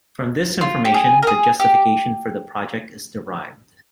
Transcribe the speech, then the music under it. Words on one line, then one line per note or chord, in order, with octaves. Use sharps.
From this information, the justification for the project is derived.
F4
G4
G#4
A#4
G#4
G4